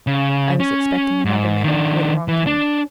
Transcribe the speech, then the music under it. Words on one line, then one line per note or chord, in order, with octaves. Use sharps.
I was expecting another man who had wronged me.
C#3
C#4
G#2
D#3 D4
E3
D4